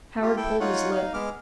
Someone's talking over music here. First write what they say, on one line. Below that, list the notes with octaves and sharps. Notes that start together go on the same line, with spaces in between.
Howard pulled his lip.
F4 G4
E4 A4 G5
D#4 F4 C#5 F#5
D#4 F5
G#3 B3 D6 F6